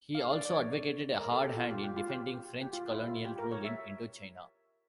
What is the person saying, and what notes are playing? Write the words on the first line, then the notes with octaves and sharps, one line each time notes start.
He also advocated a hard hand in defending French colonial rule in Indochina.
F5
D5
D5
C#5
A#4
A4
G4
F4
G4
G4
F4
G4
G4
F4
E4
F4
G4
A#4
C#5
E5